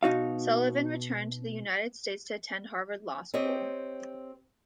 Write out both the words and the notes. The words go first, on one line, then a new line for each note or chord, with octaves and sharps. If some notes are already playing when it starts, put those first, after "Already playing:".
Sullivan returned to the United States to attend Harvard Law School.
B2 D#4 F#4 F5
C4 G4 C#5 D#5